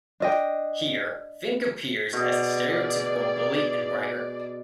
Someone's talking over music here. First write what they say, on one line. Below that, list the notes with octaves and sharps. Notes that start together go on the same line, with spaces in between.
Here, Fink appears as the stereotypical bully and braggart.
D4 D#5 G5
B2 G#4 D5 D#5